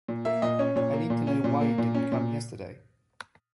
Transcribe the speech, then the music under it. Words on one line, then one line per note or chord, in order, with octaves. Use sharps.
I need to know why you didn’t come yesterday.
A#2
A#3 E5
A#2 D#5
C#4 C#5
A#2 C#5
A#3
A#2
C#4
A#2
A#3
A#2
C#4
A#2